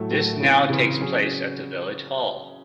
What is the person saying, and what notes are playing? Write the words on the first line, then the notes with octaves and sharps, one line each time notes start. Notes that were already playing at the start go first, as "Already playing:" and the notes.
This now takes place at the village hall.
Already playing: A2 F#3 A3
A2 F#3 A3
C#3 E3 C4
C#3 E3 C4
F#3 C#4 G#4